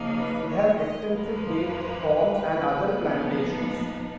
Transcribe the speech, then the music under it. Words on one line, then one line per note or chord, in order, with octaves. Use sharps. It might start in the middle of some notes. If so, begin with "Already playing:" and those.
It has extensive date palms and other plantations.
Already playing: C#3 F3 A#3 D#4
B4
C#5
D#5
F#2 F3 A#3 B4
A#2 F3 B3 D#4